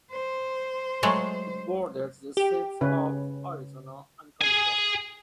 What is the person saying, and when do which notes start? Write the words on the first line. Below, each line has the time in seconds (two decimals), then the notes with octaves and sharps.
It borders the states of Arizona and California.
0.12 C5
1.03 F#3 G#3 A3
2.37 G4
2.81 C#3 C#4 B4
4.41 G#4 G#5